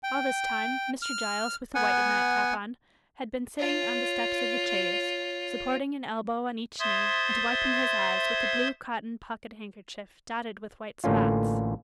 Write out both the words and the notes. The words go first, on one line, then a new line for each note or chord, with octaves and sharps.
All this time, Mr. Giles, with the white nightcap on, had been sitting on the steps of the chaise, supporting an elbow on each knee, and wiping his eyes with a blue cotton pocket-handkerchief dotted with white spots.
G5
F6
B3 F#5 G#5
F4 C#5
C5 E5 C6 D#6 G#6 A6
A1 A2 D3 A#3 C#4 F4